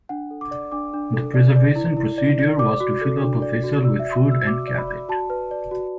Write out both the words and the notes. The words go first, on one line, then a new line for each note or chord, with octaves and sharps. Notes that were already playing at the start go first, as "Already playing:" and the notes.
The preservation procedure was to fill up a vessel with food and cap it.
D4 F#5
A4
D6
D5
D4 D6
D4
A4
D5
D5
E4
E4
D5
D5
D5 D6
F#4
A4
D4
D5
F#4
D5 E6
E5
D5
E5
F#4
E6
F#4 D6
D5
B5
D5
F#4 A5
B4
D5
F#4